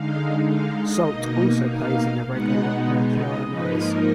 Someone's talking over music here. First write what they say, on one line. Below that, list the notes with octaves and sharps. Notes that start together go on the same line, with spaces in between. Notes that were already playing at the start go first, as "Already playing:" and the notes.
Sult also plays in the reggae rock band Lionize.
Already playing: D3 G#3 D#4 F5
F5
D#5
B2 A#3 D#4
F5
B2 G#3 B3 D#4 F#5
D#5
G#2 F3 A#3 D#4 B4
A#4